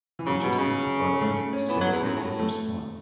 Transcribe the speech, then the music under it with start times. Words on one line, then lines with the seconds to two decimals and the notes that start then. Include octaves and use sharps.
The Justice Department said it would respond.
0.19 E3
0.26 C#3 F#3
0.43 B2
0.58 C#3
1.21 A3
1.53 C#4
1.68 E3 B3
1.81 F#3
1.92 E2
2.04 F#2
2.16 A2
2.39 A3